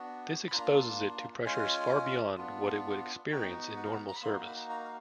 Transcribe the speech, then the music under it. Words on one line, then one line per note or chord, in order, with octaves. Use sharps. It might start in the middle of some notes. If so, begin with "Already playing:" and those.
This exposes it to pressures far beyond what it would experience in normal service.
Already playing: B3 D4 F#4
B5
A#3 D4 F4 A#5
G#3 C#4 F4 G#5
B3 D4 F4
B3 D#4 F#4 G5
F#5
F5
F#5
A#5
B5
A#3 D#4 F#4 C6
B5
A#5
F5